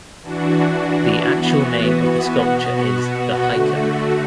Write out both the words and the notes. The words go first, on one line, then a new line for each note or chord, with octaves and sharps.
The actual name of the sculpture is The Hiker.
E3 D4 F#4
E3 B3 F#4
B2 B3 F#4
D3 A3 F#4